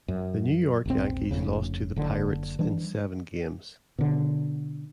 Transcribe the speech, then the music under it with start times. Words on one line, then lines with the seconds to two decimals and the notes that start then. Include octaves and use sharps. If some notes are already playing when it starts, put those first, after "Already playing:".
The New York Yankees lost to the Pirates in seven games.
0.08 F#2
0.86 E1 A#1 C4
1.31 F1 A#1 F2 C#3
1.96 F#1 D3
2.59 E3 G3 D4
3.98 B2 D3